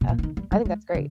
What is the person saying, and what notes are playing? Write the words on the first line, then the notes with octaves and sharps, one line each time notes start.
Uh I think that's great.
B2
A#2
E3
D#3
G3
G3
G#3
D3